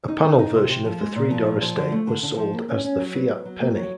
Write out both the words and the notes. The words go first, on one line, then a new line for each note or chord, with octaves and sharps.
A panel version of the three-door estate was sold as the Fiat Penny.
D#4
D#4
D#4
C3
C3
F3
G#3
A#2
F3
A#2
F3
D3
A3
D3
D3
F3
A#3
C#4
C#4
F#3
B3
F#3
F#3
A#3
F#3